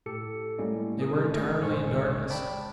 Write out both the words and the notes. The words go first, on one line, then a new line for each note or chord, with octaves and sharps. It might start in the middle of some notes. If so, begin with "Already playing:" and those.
They were entirely in darkness.
A2 G4 A4 C#7
A2 G3 G#3 A#3 C#4
G#4 A#4 D#6
G#3 A3
G1 A#2 G#3 C5 G#5 C#6
D5 G5 A5 B5